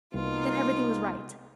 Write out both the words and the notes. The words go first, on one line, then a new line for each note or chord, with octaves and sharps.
Then everything was right.
C2 B2 A#3 D#4 F4